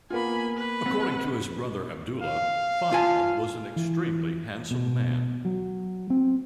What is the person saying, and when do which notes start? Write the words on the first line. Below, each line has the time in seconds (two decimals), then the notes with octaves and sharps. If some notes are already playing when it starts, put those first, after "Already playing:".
According to his brother Abdullah, Fadl was an extremely handsome man.
0.10 A#3 B3 F4 G#5 B5
0.57 B4
0.86 B3 C4
2.22 F5
2.92 F4 G#5 A5
3.76 E3
4.71 B2
5.45 F#3
6.10 C4